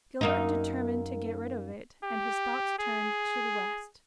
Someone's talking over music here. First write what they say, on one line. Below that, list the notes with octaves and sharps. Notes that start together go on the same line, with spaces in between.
Gilbert determined to get rid of it, and his thoughts turned to the west.
F#2 A#3 D#4
G4
G#4